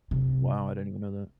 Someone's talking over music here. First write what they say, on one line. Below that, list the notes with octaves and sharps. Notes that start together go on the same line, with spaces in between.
Wow, I didn't even know that.
C3